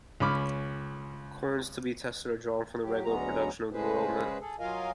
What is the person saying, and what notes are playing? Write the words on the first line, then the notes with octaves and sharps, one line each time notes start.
Coins to be tested are drawn from the regular production of The Royal Mint.
C#2 C#4 B5 D6 F6
F#3 G4
D2 F#3 G#3 B3 C#4 A#5
C#3 G#3 C#4 G#4 B4 C5
G#4 A4
F#3 F4 A#4 D#5 F5 G#5